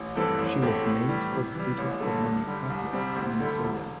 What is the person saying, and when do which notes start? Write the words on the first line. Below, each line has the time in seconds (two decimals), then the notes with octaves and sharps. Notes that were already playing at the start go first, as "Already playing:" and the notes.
She was named for the city of Minneapolis, Minnesota.
Already playing: A1
0.16 G2 E3 C4 A4
0.39 A1
0.62 A2 A3 C4 G4
0.86 A2
1.08 E3 G3
1.32 C3
1.55 E3 G3
1.78 A1
2.00 G2 D3 A3
2.23 G2
2.47 D3 G3
2.70 C2
2.93 C3 G3 C4 E4
3.16 D2
3.40 D3 G3 E4 A4
3.63 E1